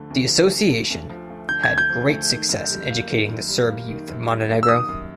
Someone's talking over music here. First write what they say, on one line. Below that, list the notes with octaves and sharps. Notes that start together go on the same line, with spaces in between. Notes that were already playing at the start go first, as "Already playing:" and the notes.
The association had great success in educating the Serb youth of Montenegro.
Already playing: D2 D3 F3 A3
D2
F3
A3
D3
D2
F3
A3
D3 G6
G#6
D2
G6
F3
A3
D#3
F#2
G3
A#3
D#3
F#2
G3
A#3
D#3
F#2
G3
A#3
E6
D#3 D#6
F#2